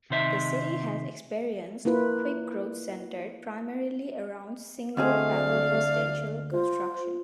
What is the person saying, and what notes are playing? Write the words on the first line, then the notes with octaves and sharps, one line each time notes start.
The city has experienced quick growth centered primarily around single-family residential construction.
C3 D#3 C5 E5
A#3 E4 F4 B4
D2 A3 C4 G#4 D#5 F5
D5
F4 C5